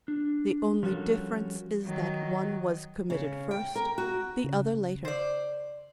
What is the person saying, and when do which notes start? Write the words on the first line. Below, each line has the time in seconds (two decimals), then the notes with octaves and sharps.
The only difference is that one was committed first, the other later.
0.08 D4
0.83 F3 G3 C#4 F#4 A4 A#4
1.85 D#3 F#3
3.10 C#3
3.51 G5
3.75 A#4
3.98 F#4
4.44 C#3
5.05 C5 D5